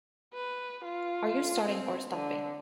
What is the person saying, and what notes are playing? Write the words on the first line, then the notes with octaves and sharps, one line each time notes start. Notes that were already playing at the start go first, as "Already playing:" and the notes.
Are you starting or stopping?
B4
F4
C4
D3